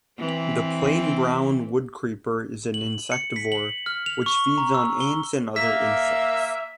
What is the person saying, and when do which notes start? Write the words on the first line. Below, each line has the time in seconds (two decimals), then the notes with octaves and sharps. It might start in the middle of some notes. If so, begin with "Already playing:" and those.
The plain-brown woodcreeper is an insectivore which feeds on ants and other insects.
0.19 E3 C4
2.74 F#7
3.12 C#7
3.36 B6
3.52 F#7
3.86 F6
4.06 F7
4.26 C#6
4.58 A#5
4.74 E6
5.01 G7
5.56 A#3 E5 B6